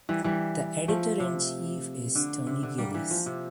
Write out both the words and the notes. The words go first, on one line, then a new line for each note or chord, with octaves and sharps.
The editor-in-chief is Tony Gillies.
E3 G3
E3 G3
F3 A3
C3
D3
C3
D3
G3 A#3
E3 G3
F3
C3